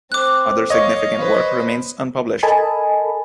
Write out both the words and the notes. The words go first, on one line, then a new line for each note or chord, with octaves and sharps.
Other significant work remains unpublished.
C4 D6 F#6
C#5 D#5 F5
B4 C5
A4 A#4 D#5 G#5 A5 B5